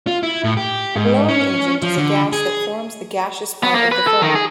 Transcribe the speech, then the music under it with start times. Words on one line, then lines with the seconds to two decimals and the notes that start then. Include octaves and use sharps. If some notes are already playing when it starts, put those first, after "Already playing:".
A blowing agent is a gas that forms the gaseous part of the foam.
0.07 F4
0.23 E4
0.44 A2
0.57 G4
0.96 G#2
1.29 C#4
1.82 F3
1.97 D3
2.33 G#4
3.63 B3
3.75 A#3
3.92 B4
4.07 A4
4.22 D#3
4.35 G#4